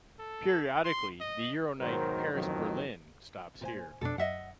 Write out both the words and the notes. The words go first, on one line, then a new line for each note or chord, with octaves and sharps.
Periodically the EuroNight Paris-Berlin stops here.
A4
C6
D#5
G#2 B2 D#3 F#3 A#4 C5
A1 F2 D#3 F3 F#3
A#2 C5 G#5
F2 B2 D4 A4
F#2 D#5 E5 F#5